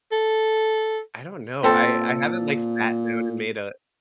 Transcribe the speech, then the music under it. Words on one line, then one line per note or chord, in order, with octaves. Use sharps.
I don't know. I I haven't, like, sat down and made a
A4
A#2 B3 C4 A4